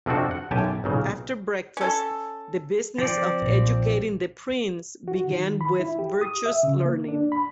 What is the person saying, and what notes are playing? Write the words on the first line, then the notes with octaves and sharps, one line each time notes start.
After breakfast, the business of educating the prince began with "virtuous learning".
F2 C3 F3 C4 D4 F#4
F#5
B1 F#2 G4 G#5 A5
B1 A#2 C#3
C#4 A4
F3 C4 D5
B1 A#2
F#4
D#3
B5
E4
G4
D#6
E5
C#3
A#3
D4
B5